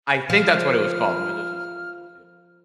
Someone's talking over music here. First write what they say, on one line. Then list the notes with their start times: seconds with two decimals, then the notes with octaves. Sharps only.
I think that's what it was called, "The Magician's Apprentice." Yes,
0.30 F3 F6